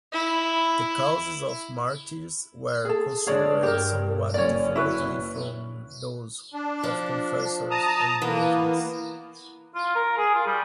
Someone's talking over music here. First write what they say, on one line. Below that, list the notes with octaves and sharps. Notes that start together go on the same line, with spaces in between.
The causes of martyrs were considered somewhat differently from those of confessors and virgins.
E4
G#4 A4
G#3 D4 G#4 C#5 D5
G2 G4 A#4
F#1 C#4 C#5 D5
E4 F#4 B4
D4
F3
A5 A#5 D#6
E3 A#3 B3
F4
A#4
G#4
F4
G3